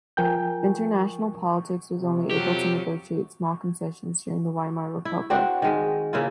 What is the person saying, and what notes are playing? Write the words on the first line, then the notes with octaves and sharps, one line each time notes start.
International politics was only able to negotiate small concessions during the Weimar Republic.
F3 A#4 G5 G#5 G6
C3
F2 F3 F#3 G4
E4
C4 D4 F#4 C5
D#3 G#3
C#3 A#3 E4 F4